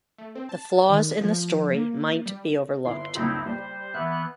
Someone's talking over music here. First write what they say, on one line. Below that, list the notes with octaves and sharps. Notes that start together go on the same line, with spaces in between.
The flaws in the story might be overlooked.
A3
C4
A5
D#3
F3
A#3
G3
G1 E4 C6
F#1 C#2 G2 C4 D#4 E4
G3 C5
E3 B3 E5 F#6